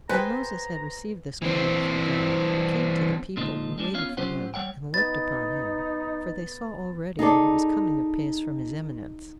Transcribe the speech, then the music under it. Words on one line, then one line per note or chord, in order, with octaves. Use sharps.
When Moses had received this command from God, he came to the people, who waited for him, and looked upon him, for they saw already that he was coming apace from his eminence.
B3 G#4 B4 C5 G5 G#5 A#5
E3 C4
A#2 D3 F3 G#3 D#4
G3 G#3 D4
B3 C#4 F4 C#5 F5
F#3 C#4 F4 G4 C5 F#5
G3 C#5 F#5 G5
B3 D#4 A6
D#4 G#4 A4 D5